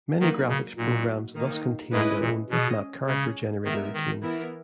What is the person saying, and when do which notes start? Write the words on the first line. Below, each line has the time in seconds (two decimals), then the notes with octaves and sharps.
Many graphics programs thus contained their own bitmap character generator routines.
0.20 D#3 F#3 A#3 D#4 F#4 B4
0.49 C#3
0.78 A#2 F#3 A#3 D#4 F#4
1.35 D#3 A#3 D#4
1.92 G#2 G#3 C#4 E4 B4 D#5
2.21 A#2
2.49 B2 C#4 G#4 D#5
3.07 C#3 G#3 C#4 G#4
3.64 D#3 G#3 B3 D#4 A#4 E5
3.93 D#3
4.22 E3 B3 E4 A#4